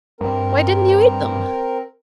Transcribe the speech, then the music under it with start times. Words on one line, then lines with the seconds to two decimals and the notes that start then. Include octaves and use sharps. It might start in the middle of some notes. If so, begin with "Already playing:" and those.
"Why didn't you eat them?"
0.21 G2 C4 A#4